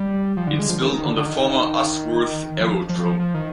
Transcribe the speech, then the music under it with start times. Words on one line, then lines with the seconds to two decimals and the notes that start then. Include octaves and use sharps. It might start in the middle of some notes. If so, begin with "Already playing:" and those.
It's built on the former Usworth Aerodrome.
Already playing: G3
0.37 F3
0.47 D3
0.59 G#3
0.69 F3
0.82 D#3
0.93 D#3
1.04 D3
1.17 D3
1.26 D#3
2.60 F3
2.89 F3
3.05 F3
3.19 F3
3.34 D#3